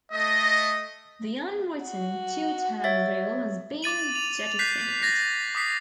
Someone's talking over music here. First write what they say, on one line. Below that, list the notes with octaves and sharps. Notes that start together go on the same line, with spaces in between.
The unwritten "two term" rule has been jettisoned.
A3 D#5
F#4
C#5 E5 A6
D6 A6 D#7 F#7
F7
F#6 G6 B6 C7
A6 A#6 C7
D6 D#6 B6 C7